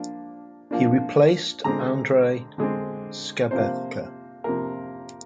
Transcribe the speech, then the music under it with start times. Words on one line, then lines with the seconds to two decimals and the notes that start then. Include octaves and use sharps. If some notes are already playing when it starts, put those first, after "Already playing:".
He replaced Andrei Skabelka.
Already playing: F3 A#3 D4
0.71 F3 A#3 D4
1.64 D3 G#3 C4 A#5
2.58 D3 G#3 C4
3.51 C3 F3 A#3 C5
4.44 C3 F3 A#3 A#4